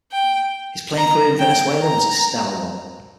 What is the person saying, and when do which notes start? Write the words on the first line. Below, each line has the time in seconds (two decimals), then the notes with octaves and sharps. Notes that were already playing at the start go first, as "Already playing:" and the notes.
His playing career in Venezuela was a stellar one.
0.12 G5
0.98 A#5
1.39 G5
1.83 A#5